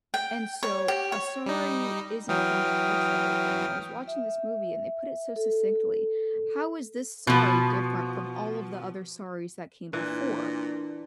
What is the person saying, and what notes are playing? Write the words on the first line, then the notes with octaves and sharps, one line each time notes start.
And so a sorry isn't gonna fix everything. I was watching this movie, and they put it so succinctly "How is this sorry different from all of the other sorry's that came before?"
G5
C#5
G4
C#5
G3 D#4
E3 F#3 G5 D#6 F6
E5
A4
B2 F3
A#2 E3 D4